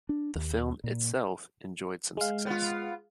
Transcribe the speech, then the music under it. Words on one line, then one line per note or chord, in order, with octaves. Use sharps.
The film, itself, enjoyed some success.
D4
D#2
A#2
G#3 F5
B3 F4